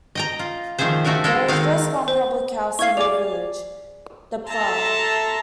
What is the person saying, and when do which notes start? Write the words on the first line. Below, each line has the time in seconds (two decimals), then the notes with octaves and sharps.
There is just one public house in the village, the Plough.
0.15 D#5 G5 A#5
0.39 F4
0.79 D#3 F3 A3 G#4 C5
1.05 A3 D#4 F#4 A#4 G#5
1.24 G#3 A4 A#4
1.48 D#3 C4 D#4 F5 F#5
2.08 C5
2.79 E4 F5 C#6 G#6 C7
2.97 G#4 D5 D6 F7
4.49 A4 E5 A5 A#5 C6